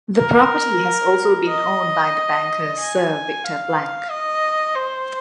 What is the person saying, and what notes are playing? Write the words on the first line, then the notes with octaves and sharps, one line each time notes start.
The property has also been owned by the banker Sir Victor Blank.
A#4
D#5
G#5
F5
D#5
C5